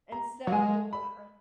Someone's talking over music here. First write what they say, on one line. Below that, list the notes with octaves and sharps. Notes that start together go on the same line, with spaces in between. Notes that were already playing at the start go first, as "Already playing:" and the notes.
And so, uh
A#5
F#3
G#3 G#5
B5